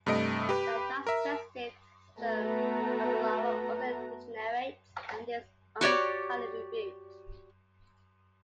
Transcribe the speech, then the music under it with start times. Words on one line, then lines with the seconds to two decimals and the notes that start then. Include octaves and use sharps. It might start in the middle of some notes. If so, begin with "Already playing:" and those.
The digestive system of the larva also degenerates, and is almost entirely rebuilt.
0.06 G2 C3 A3 D#5 D7
0.49 G4 B4
1.07 A#4 E5
2.20 A3 B3 F#4 A#5
5.81 F#4 G4 C#5 D5